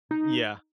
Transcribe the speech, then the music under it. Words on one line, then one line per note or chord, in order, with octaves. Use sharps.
Mm, yeah.
D#4